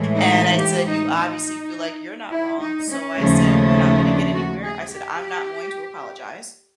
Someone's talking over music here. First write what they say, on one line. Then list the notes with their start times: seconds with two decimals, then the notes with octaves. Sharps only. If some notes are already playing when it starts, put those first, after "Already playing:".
And I said, "You obviously feel like you're not wrong," so I said, "We're not gonna get anywhere," I said, "I'm not going to apologize."
Already playing: A2 E3 G#3
0.13 D#4
0.57 G4
0.86 D#4
1.14 D#4
2.31 E4
2.60 D#4
2.88 C#4
3.17 D#2 C#3 F3 A3
4.05 D4
4.33 F#4
4.62 G#4
4.92 G4